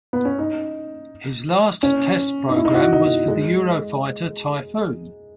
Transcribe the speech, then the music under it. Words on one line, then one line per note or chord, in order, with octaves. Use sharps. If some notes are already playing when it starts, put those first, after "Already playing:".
His last test program was for the Eurofighter Typhoon.
B3
C#4
D#4
C#4
D#4
E4
D#4
F#4
D#4
G#3